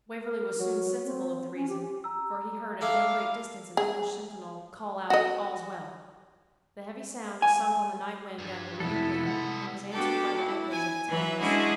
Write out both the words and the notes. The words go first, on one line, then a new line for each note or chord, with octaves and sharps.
Waverley was soon sensible of the reason, for he heard at no great distance an English sentinel call out 'All's well.' The heavy sound sunk on the night-wind down the woody glen, and was answered by the echoes of its banks.
A#4
F#3
C4
C#4
G4
A#5 E6
D4 E4 A4 F5
G#4
F#4 D#5
G#5
G2 G3
F2 C3 B3 E4 A4
C2 G#3 F#5
B3 D4 F#4 G4 A4
E4
G#5
E3 F#3 B4 E5
G#3 C#4 D4 E4 F#4 G#4